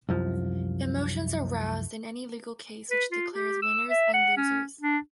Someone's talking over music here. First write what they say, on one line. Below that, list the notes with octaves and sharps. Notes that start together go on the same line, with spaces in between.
Emotions are roused in any legal case which declares winners and losers.
C2 F#2 F3
B4
F4
G4
E6
E5
F#5
C#4
D4